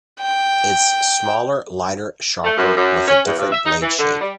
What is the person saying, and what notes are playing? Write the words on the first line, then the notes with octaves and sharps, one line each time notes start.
It's smaller lighter sharper with a different blade shape.
G5
A3
F#2
F#2
C#4
E2
G2
E5
D#4
E3
D3
G3